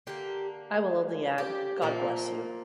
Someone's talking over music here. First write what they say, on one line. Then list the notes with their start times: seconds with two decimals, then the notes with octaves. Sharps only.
I will only add, God bless you.
0.07 D3 A#3 G4
1.38 G4
1.82 A#2 F3 A#3